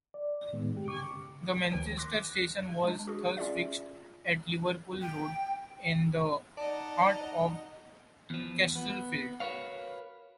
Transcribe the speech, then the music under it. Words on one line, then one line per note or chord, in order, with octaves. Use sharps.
The Manchester station was thus fixed at Liverpool Road in the heart of Castlefield.
D5
A2 D#3 G#3 B3
G2 G4
C#3 C#6 D6
D2 D#3 F3 D7
C6 D6 F#6 A#6
F#6
G#3 D4
F#4 G#4
C#4 F4 G#4 D5 E5
G5
D#4 D5 D#5 F#5 A5 A#5
E2 F3
B3
F#4 A#4 B4 C#5 F5